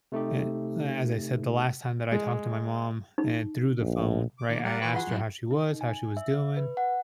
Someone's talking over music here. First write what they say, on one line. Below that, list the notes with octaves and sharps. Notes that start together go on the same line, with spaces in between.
eh, a as I said the last time that I talked to my mom and through the phone, right, I asked her how she was, how she was doing,
C3 A3 D#4 G4
G#3
D#4
A#1
D6
A#2 D#3
G3 A#4 D5 F#5
E3 F#4 B4 C#6 D6
F4 F#4 G#4 F#5 C6
F#2 F#3 E4
D#4
G#5
E5
B4
F#5